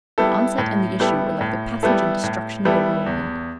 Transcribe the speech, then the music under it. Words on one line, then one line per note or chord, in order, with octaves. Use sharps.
The onset and the issue were like the passage and destruction of a whirlwind.
G3 B3 E4 A4
A2
G3 B3 E4 A4
A2
G3 B3 E4 A4
A2
G3 B3 E4 A4
E2